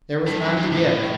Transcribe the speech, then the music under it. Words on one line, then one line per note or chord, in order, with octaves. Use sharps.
There was none to give.
G2
F#2
G2
A2